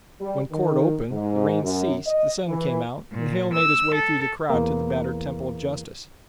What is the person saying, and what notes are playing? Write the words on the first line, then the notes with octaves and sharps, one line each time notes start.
When court opened, the rain ceased, the sun came out and Hale made his way through the crowd to the battered temple of justice.
G3
D#3
G#2
F#2
D#5
E3
A#2
E6
A4
E2 A#3